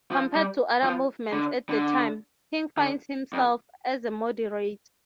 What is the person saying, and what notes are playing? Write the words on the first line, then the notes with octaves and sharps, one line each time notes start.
Compared to other movements at the time, King finds himself as a moderate.
F3
G3
F3
D3
D3
D3
F2